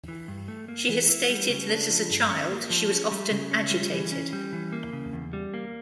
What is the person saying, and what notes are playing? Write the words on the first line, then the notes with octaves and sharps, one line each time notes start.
She has stated that, as a child, she was often "agitated".
E3
G2
A3
A#3
E3
E4
G3
C#3
D4
F3
G2
C#4
A#3
F3
C#4
G3
C#3
C#4
G3
E3
C#4
G3
E3
A#3
C#3
E2
G3
A#3